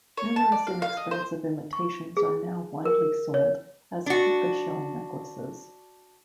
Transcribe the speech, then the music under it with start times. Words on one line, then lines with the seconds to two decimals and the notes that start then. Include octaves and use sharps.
Numerous inexpensive imitations are now widely sold as puka shell necklaces.
0.17 C#5
0.36 A5
0.52 D5
0.67 F5
0.82 F5
0.97 D#5
1.11 C5
1.73 C#6
2.17 G#4
2.85 A#4
3.34 C#5
4.06 D4 F#4